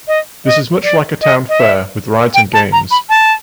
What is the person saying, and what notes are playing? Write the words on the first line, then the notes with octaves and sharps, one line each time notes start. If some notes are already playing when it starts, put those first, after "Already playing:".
This is much like a town fair, with rides and games.
D#5
D#5
D5
D#5
D#5
E5
G5
A5
A#5
B5
A5